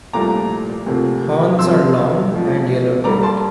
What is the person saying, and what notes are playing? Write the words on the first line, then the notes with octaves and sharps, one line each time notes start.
Horns are long and yellow-tipped.
C2 A#2 F3 A3 A#5 D6
D2 C3 F3 A#3
F2 C3 F3 C6 E6
D2 D3 F3
G2 D3 G3 A#3 A#5 D6
A5 C6